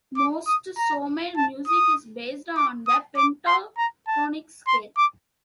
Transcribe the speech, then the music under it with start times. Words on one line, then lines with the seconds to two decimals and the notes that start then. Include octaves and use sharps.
Most Somali music is based on the pentatonic scale.
0.17 D6
0.47 D#6
0.77 A#5
1.37 A5
1.67 D#6
2.57 D6
2.87 D#6
3.17 D6
3.47 C6
3.78 A#5
4.07 A5
4.67 C6
4.97 D6